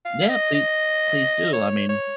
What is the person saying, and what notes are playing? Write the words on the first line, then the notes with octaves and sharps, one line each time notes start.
Yeah, please please do. I mean
F5
D#5
D#5
C#5
C#5